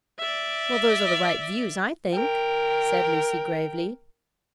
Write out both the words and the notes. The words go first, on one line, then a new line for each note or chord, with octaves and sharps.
"Well, those are the right views, I think," said Lucy, gravely.
D5 E5
A#4 G5